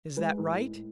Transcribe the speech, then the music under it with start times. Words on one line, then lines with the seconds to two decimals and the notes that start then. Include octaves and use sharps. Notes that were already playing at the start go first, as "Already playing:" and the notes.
Is that right?
0.17 G#3 B4
0.38 A2
0.62 A2